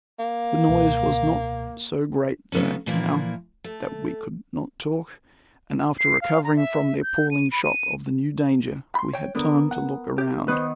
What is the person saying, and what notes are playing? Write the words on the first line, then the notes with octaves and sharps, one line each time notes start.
The noise was not so great though, now, that we could not talk, and after recovering from the appalling shock of the new danger we had time to look around.
A#3
C#2 B2
C#3 F#3 A3 B3 C#4
A#2 E3 F3 A#3 E4
A3
C7
F5
A#5
E5
G6
D#7
B5
D#7
B5 C6
C#5 G5
D3 B3 A#4
F#5
G4
D#3 B3 D#4 B4 C5